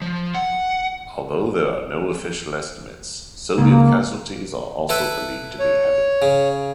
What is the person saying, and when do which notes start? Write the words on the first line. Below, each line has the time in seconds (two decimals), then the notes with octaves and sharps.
Although there are no official estimates, Soviet casualties are also believed to be heavy.
0.02 F3
0.34 F#5
3.58 C#2 A#3
4.89 E4 A4 B4
5.59 C#5
6.22 C#3